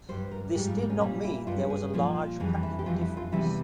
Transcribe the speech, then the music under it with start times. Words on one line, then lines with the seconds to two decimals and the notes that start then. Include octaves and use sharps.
This did not mean there was a large practical difference.
0.09 G2 G3 C5
0.31 A#4
0.55 G#2 G4
0.59 G3
0.66 F4
0.78 A#3
0.90 C#4
1.01 A#2 G3 C#4
1.25 E4
1.47 G2 G3 F4
1.70 G#4
1.94 A#2 F3
2.40 F2 E3 G3 G#4
2.63 E4
2.79 G4
2.86 F2 E3 G3 F4
3.01 E4
3.17 F4
3.32 E2 C3 E3 G3 E4